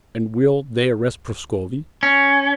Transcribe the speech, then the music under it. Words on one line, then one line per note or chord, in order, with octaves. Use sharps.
"And will they arrest Prascovie?"
C#4